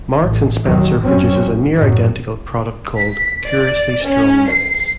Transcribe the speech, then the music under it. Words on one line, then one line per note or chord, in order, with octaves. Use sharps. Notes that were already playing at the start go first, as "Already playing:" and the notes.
Marks and Spencer produces a near identical product called "Curiously Strong Mints".
A1
D#2 D#3 F#3
F#2 F#3 C4 C#4
A1
F#2 A2 F#3
B6
D5
C#4
C7